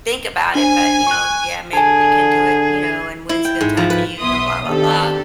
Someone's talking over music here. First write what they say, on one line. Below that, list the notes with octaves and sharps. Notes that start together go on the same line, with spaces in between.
think about it, but, you know, yeah, maybe we can do it, you know, and when's a good time for you?" and blah, blah, blah,
D4 C5 G#5
C#6 F#6
D3 G#4 G#5 A5
E4
G5
G#2
F3
B4
B1 B3 E5 C6 D#6
D#3 B3 C4 D4 G4 A4